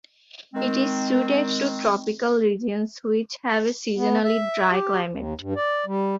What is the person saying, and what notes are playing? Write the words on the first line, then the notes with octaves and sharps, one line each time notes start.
It is suited to tropical regions which have a seasonally dry climate.
D#3 G#3 C4
B3
E5
G4
D#2
G2
D5
G3